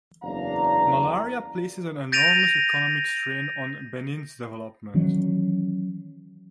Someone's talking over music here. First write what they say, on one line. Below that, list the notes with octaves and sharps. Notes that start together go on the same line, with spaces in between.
Malaria places an enormous economic strain on Benin’s development.
F#1 E2 D4 D5 F5 A#5
G6 A6 A#6 D7 D#7 F7
D#3 E3 F#3 C#4